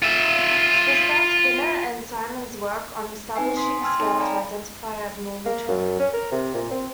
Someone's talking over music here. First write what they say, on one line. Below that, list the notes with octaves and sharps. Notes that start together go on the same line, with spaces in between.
This sparked Binet and Simon's work on establishing a scale to identify abnormal children.
F4 E5
C4 D#4 B4 G#5 C7
G#5 C6 D#6 B6 C7
G5 A5 C6 E6 F6 G#6
C4 D#4 A4 C#5 A5
D5 F5 G5 G#5 A#5 B5
A#3
F#2
C#4
A#4
C3
A#2
C4